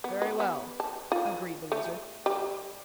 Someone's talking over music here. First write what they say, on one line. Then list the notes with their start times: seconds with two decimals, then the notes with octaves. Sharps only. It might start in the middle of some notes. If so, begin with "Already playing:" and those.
"Very well," agreed the Wizard.
0.04 B3
0.22 B3
0.40 B3
0.80 A5
1.12 F4
1.72 A3
2.26 G3